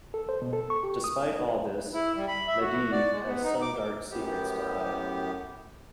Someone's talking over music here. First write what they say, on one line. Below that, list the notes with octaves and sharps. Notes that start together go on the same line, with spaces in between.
Despite all this, Medivh has some dark secrets to hide.
A4
C5
B2
A4
C#6
G4
D#6
E4
G3
B5
E5
F#4
D5
G#3
B3
D#4
D6
F#2 A2 B3 G4